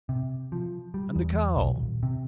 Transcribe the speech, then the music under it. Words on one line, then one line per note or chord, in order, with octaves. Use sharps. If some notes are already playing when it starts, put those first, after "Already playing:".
"And the cow?"
C3
F3
G3
E2
B1
D#1
C3